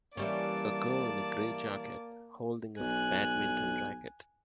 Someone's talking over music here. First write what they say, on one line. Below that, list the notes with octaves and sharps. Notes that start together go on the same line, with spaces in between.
A girl in a gray jacket holding a badminton racket.
E3 G3 A#3 C#4 D5 A5
B1 G#5 F#6